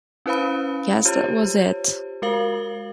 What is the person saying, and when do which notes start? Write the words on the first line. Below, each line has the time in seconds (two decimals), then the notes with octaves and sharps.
Guess that was it.
0.26 C#4 E4 B4 C5 F5 B5
1.05 F4 G4 C5 C#5
2.22 G#3 F#4 A#4 F5 F#7